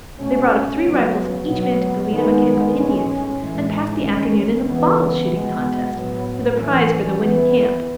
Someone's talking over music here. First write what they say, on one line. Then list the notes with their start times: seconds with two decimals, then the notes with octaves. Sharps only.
They brought up three rifles, and each man took the lead of a camp of Indians, and passed the afternoon in a bottle shooting contest, with a prize for the winning camp.
0.19 B2 A3 C#4
0.82 C#3 F#3 B3
1.46 B2 F#3 B3
2.09 D#3 G#3 B3
2.73 A2 G#3 C#4
3.36 A2 E3 G#3
3.99 D#3 G#3 C#4
4.63 C#3 E3 B3
5.27 B2 G#3 B3
5.90 A2 F#3 B3
6.54 E3 A3 C#4
7.17 E3 B3